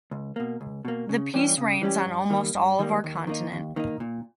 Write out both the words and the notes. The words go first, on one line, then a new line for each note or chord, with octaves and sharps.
The piece reigns on almost all of our continent.
C#2
B2 A#3
C#2
B2 A#3
C#3
E3 G3 C#4 G4
C#3
E3 G3 C#4 G4
G2
D#3 G3 A#3
G2
D#3 G3 A#3
D#2
D#3 A#3 D#4
D#2
D#3 A#3 D#4
A#2